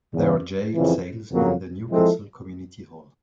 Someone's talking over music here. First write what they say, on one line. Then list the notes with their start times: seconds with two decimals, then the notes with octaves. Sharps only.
There are jail cells in the Newcastle Community Hall.
0.14 E2 C#3 E3
0.73 F2 C#3 E3
1.31 F2 C#3 F#3 A#3
1.90 F3 G#3 C4 E4 A4